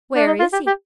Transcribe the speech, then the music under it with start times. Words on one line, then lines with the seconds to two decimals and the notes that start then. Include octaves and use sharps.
"Where is he?"
0.15 D4
0.27 D#4
0.40 F4
0.53 G4
0.67 G4